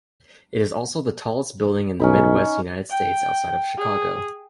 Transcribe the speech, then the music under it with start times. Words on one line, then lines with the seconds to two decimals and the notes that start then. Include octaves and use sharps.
It is also the tallest building in the Midwest United States outside of Chicago.
2.00 B1 C#4 D#4 B5
2.90 G5
3.78 G#4